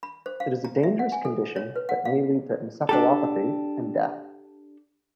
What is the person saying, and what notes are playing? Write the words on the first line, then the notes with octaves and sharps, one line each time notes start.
It is a dangerous condition that may lead to encephalopathy and death.
B5
C5
F5
A#5
E5
F#5
G#5
A4
C#5
B4
F#5
F5
D4 G4 A4